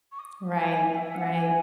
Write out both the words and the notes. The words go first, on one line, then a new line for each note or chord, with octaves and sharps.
Right, right.
C#6
D#6
G#5
E5
F#5
G#5